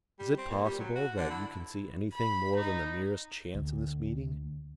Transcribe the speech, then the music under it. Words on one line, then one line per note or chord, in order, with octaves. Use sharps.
Is it possible that you can see anything more than the merest chance in this meeting?
G3
C4
A#2
G3
F#3
F#4
D3
E4
B5
D#4
D2